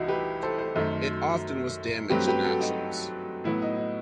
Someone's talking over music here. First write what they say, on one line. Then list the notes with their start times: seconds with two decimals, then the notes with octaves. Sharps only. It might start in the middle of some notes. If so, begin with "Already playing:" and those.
It often was damaged in actions.
Already playing: C2 C3 E3 D#4 E4 F#4
0.08 G4 B4
0.43 A4 C5
0.58 A4 C5
0.76 F#2 D#3 A3
2.10 G2 F#3 A3 C4 G4 B4
2.27 G4 B4
2.44 F#4 A4
2.60 D#4 F#4
3.44 A2 F#3 B3 E4
3.62 D#4
3.78 D#4